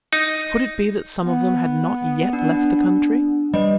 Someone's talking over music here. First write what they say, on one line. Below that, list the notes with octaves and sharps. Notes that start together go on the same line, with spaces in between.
Could it be that some of them had not yet left the country?
D#4
B3
D4
G3 B4 D#5